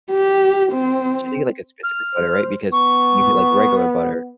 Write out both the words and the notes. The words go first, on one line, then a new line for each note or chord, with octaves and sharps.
she had to get, like, a specific butter, right, because when you get, like, regular butter,
G4
C4
F6
C5
B3 C#6